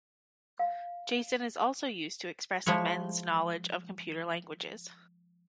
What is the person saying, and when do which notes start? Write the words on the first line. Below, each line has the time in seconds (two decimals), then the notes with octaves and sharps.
Jason is also used to express Amend's knowledge of computer languages.
0.59 F5
2.66 F3 G#3 E4 C#5